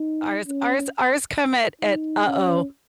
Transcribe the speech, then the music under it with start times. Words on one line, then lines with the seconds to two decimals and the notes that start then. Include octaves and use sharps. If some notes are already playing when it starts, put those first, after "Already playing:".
Ours ours ours come at at, "Uh-oh."
Already playing: D#4
0.47 C#4
1.81 D#4
2.26 C#4